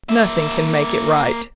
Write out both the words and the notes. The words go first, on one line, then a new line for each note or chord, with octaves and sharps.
Nothing can make it right.
A#3 E5